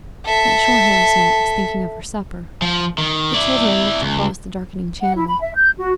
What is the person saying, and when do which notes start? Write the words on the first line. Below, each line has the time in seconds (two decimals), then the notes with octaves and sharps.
That Shoreham smack's thinking of her supper.' The children looked across the darkening Channel.
0.25 A4 E5
2.62 F3
2.98 D#3
3.34 E4 D5
4.02 C#2
5.01 F#5
5.16 E4
5.28 B5
5.40 E5
5.55 G6
5.77 F#4